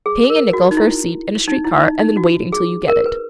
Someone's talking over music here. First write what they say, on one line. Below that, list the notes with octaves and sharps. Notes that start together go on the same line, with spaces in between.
Paying a nickle for a seat in a street-car and then waiting till you get it.
G#4
A#4
F#4
D#4
E4
D#4
E4
D#4
D#4
F#4
G#4
A#4
B4